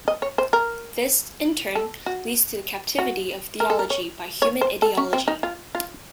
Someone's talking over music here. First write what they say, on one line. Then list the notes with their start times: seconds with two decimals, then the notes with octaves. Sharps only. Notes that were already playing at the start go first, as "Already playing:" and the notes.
This, in turn, leads to the captivity of theology by human ideology.
0.08 D#5
0.22 C#5
0.38 C5
0.53 A#4
1.75 A4
2.06 F#4
2.99 F#4
3.60 A#4
3.70 A4
3.79 A#4
3.90 C#5
4.42 C#5
4.61 C5
4.82 A4
4.97 C#4
5.13 C4
5.28 D#4
5.43 F4
5.75 F4